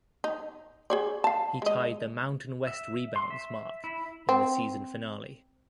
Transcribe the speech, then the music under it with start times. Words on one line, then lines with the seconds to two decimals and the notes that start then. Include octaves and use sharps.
He tied the Mountain West rebounds mark in the season finale.
0.24 D#4
0.90 G#4 C#5 D5
1.24 F5 A5
1.62 G#3 D#5
2.67 E5
3.16 C6
3.30 E5
3.84 E4
4.29 C4